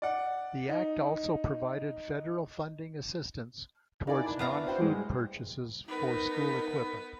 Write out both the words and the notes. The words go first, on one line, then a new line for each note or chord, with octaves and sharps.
The act also provided Federal funding assistance towards non-food purchases for school equipment.
D5 F#5
D#4
A#3 D#4 E4 D5 G#5
D4 B4 A5
B3 D5 E5 F5 A#5 C#6
F#4 C5 G5 C6
C2 G2 G#3
B3 D#4 A#4 B4